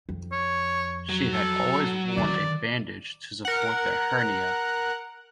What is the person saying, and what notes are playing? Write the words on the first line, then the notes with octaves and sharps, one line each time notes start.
She had always worn a bandage to support the hernia.
F2
C#5
F#3
A4
D3 D#3 D5
A#4 F#5